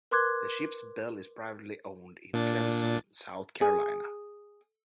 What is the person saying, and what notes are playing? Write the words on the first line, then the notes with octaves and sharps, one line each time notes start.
The ship's bell is privately owned in Clemson, South Carolina.
A#4 B4 C6 D6 F#6 G#6
A#2 D4 A6
G#4